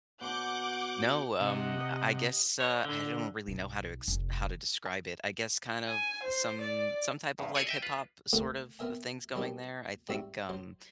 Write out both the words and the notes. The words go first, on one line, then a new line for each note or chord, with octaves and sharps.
No, um, I I guess, uh, I don't really know how to ex how to describe it. I guess kind of some some type of, like, hip-hop sort of a things going there, I think, um,
B2 C#5 F#5 D6 G6
C3 G4 D#5 F#5
C#5
D3
B1
F1
G#5
C5
D5
E2 G2
G#4 A4 C#5 D5 G#5
D#5 E5 G5
F4 B4
D2 A3 A#3 C4 F#5
B3 C4 A#4 E5 G#5
F#3 G3 A#3 C4 D#4 G4
G#2 G3 C4 F#4 E5 C#6
F#3 C5